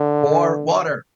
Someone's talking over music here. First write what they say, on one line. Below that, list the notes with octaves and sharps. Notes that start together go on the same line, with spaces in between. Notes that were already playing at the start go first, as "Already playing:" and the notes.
More water!
Already playing: D3